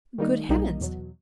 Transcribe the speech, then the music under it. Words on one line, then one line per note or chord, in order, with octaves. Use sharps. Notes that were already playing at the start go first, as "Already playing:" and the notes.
Good heavens!
D#3 G3 A#3 D#4
B1 A#2 G3 A#3 D#4
E2 B2 F#3